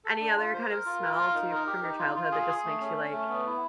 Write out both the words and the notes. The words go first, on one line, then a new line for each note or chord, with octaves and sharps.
any other kind of smell, too, from your childhood that just makes you, like,
A4
D4
F4
C5
A#4
F4
A#4
F4
D#4
A#4
G4
D#4
F4
F4
G#4
G#4
A3
C#4
C#4
A3
B3
E4